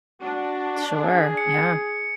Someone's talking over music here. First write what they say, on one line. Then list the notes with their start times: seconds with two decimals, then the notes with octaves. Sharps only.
Sure, yeah.
0.22 D4 F#4
0.99 G#4
1.37 C#7